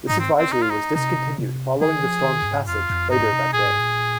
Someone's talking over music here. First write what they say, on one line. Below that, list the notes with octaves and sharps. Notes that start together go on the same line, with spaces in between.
This advisory was discontinued following the storms' passage later that day.
G#2 D#4
C4
C4
D#4
F4
D#4
C3 D#4
C3
D#3 G#4
F3
D#3
F2
G#2
F2 F4
F2
G#2 D#4
C3
A#2 G#4
G#2
A#2